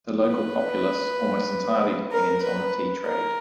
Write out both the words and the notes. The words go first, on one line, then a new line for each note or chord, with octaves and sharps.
The local populace almost entirely depends on the tea trade.
B4
A#4
B4
A#4